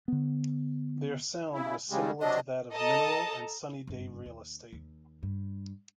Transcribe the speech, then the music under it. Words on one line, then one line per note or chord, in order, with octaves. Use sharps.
Their sound was similar to that of Mineral and Sunny Day Real Estate.
D3 B3
C#3 E4
C#3 G3 G#3
C3 F#3 D4 D#5
A4 D#5 A5 A#5
F#1 G2
D#2
D#2
G2